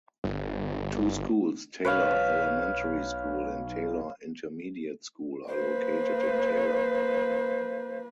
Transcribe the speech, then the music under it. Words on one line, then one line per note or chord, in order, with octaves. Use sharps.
Two schools, Taylor Elementary School and Taylor Intermediate School, are located in Taylor.
G1
B1 B4 C#5 F5
A#3 B4 C5